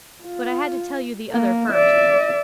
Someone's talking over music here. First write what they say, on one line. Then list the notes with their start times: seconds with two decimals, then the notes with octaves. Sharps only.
But I had to tell you the other first.
0.24 F4
1.31 A#3
1.71 D5 E5